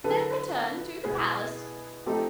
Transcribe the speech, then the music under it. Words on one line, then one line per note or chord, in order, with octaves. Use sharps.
"Then return to the Palace."
D3 F#3 B3 E4 A4 B4
B2 G#3 B3 E4 G#4
F3 A3 C4 D#4 G4 A4